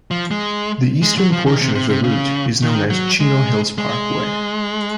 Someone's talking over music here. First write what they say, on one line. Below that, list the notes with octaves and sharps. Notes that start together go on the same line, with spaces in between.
The eastern portion of the route is known as Chino Hills Parkway.
F3
G#3
G#3
F#3
F3
D#3
C3
C3
C3
C#3
D#3
F#3
G#3
G#3